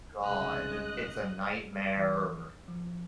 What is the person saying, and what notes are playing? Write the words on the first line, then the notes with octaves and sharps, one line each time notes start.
god, it's a nightmare.
C2 G#2 C#3 G#3 D#5 F#6
E3
F3